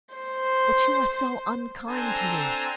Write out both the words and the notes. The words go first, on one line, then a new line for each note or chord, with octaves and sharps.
"But you are so unkind to me!"
C5
C4 D4 A4 C5 G#5 A#5